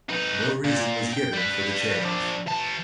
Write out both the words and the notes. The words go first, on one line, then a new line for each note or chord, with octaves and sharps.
No reason was given for the change.
D#4 B4
A#2
G5
G3 B4
F3 D4
E3 A5